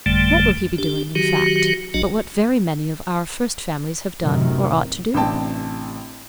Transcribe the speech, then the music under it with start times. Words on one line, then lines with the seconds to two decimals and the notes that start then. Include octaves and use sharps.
What will he be doing, in fact, but what very many of our first families have done, or ought to do?
0.06 G1 F2 D3 G3 A3
0.78 D4 G4
1.15 D#3 F#3 F#4 G4
1.94 A#1 F#3 D4 F#4 D#5
4.20 F#2 A2 C3 D#3
5.14 A1 C3 D4 G5 A5